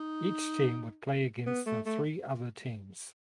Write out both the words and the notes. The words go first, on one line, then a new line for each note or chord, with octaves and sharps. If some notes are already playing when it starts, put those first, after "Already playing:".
Each team would play against the three other teams.
Already playing: D#4
B3
A3
A3